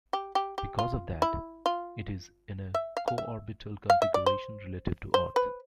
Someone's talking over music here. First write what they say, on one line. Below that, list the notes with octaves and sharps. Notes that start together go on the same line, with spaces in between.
Because of that, it is in a co-orbital configuration relative to Earth.
G4
G4
G4
F4
E4
F4
E5
F5
F5
E5
F5
E5
D5
C5
C5
B4